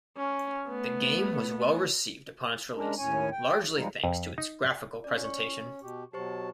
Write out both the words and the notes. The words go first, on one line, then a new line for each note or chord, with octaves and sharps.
The game was well received upon its release, largely thanks to its graphical presentation.
C#4
A3 B3
G#3 C#4 D4 A#4
D#2 A2 C#4 C#5 G#5
G5
F3 G3 G#3 D#4
F2
D#4
D5
C#4 D5
C#6
B2 G4
B2 F#3 G4 C5 A5 C#6